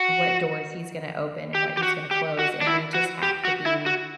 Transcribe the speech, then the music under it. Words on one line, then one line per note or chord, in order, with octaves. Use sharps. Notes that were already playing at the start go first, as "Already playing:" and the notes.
what doors he's gonna open and what he's gonna close, and we just have to be
Already playing: F#4
G4
G4
F#4
G4
F#4
D4
E4
F#4
G4
F#4
E4
F#4